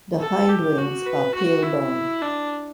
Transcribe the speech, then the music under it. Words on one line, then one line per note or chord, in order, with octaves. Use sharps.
The hindwings are pale brown.
A4
G4
F#4
B4
F#4
E4
D4